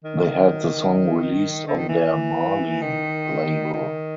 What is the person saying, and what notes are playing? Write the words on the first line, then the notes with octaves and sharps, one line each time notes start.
They had the song released on their Marlee Label.
D#3
D3
D#3
E3
D#3
D#3